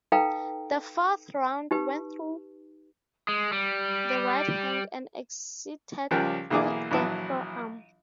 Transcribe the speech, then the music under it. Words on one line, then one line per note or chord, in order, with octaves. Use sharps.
The fourth round went though the right hand and exited through the forearm.
D#4 A4 B4 F5 G5 A#5
D#4 G4 B4
G#3
G3
C#2 F3 G3 A#4 G5 F#6
B1 E3 A#3 E4 G#4 D6
A#1 E3 F#3 E4 A5